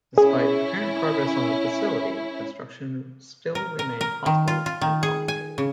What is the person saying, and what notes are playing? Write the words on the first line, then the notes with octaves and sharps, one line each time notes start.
Despite apparent progress on the facility, construction still remained costly and complicated.
C#4 E4 G#4
A#4
A#4
A#4
D#3
F4
F4
D#3
G#4
G#5
C#3